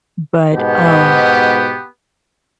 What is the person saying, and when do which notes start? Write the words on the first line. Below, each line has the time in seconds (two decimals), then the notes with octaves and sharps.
But, um,
0.53 G#2 B2 B3 G4